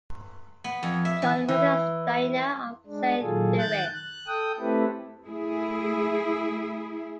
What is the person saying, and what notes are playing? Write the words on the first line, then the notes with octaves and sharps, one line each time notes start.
John Rothensteiner of Saint Louis.
B3
F2
E5
E3
E3
G#3 D4
A#2 D#3 F#3 F4 G#4 A4
D#3 F#6 G6 A6
F#6
A4 G5 D#6
A3 C4 E4 G4 A4 B4
A3 E4 G#4